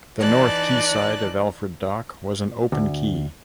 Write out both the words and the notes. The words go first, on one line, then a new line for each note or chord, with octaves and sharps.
The north quayside of Alfred Dock was an open quay.
E3 D#4 D5 A5 F#6
D2